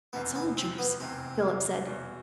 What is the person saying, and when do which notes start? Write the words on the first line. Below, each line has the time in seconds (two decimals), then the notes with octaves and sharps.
"Soldiers!" Philip said.
0.13 F1 E2 C3 B3
0.35 B3
0.57 C4
0.78 B3
1.00 F1 E2 C3 C4
1.86 E2 B2 G3